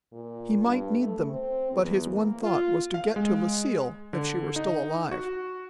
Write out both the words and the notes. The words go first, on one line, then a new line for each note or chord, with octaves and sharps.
He might need them, but his one thought was to get to Lucille, if she were still alive.
A#2
G2
A3
C4
E2
A#3
F4
F5
G#3
D3
D#4
F#4